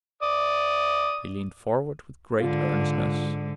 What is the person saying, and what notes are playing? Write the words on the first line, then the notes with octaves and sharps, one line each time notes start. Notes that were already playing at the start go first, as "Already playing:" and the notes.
He leaned forward with great earnestness.
D5 D#6
G#2 D3 F4